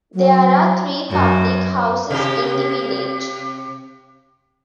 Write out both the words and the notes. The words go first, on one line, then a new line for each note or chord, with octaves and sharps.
There are three public houses in the village.
F#3
F#2
C3 G4